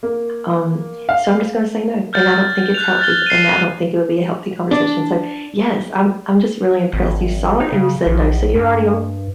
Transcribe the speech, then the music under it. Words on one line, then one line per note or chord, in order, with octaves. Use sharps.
um, so I'm just gonna say no, and I don't think it's healthy, and I don't think it would be a healthy conversation," so yes, I'm I'm just really impressed, you saw it and you said no, so you're already on
A#3
F5
F6 G6 A6
F#6 F7
F6 A6 G7
C7 D#7
D4
G#1
D#4
C#3
A#1
G2